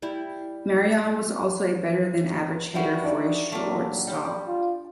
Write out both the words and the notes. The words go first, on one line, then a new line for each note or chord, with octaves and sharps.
Marion was also a better-than-average hitter for a shortstop.
G3 E4
G3 E4 F#4
D4 D#4 D5
D#2 A#2 F#3 A3 A#3
G3
F4